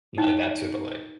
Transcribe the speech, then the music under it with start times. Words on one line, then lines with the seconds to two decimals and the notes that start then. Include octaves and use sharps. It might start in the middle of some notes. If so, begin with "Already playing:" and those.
Not adapt to, but like
0.18 D#4